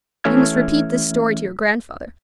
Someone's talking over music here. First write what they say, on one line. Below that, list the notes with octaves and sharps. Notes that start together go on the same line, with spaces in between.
"You must repeat this story to your grandfather."
E3 A3 C#4 E5 F6 G#6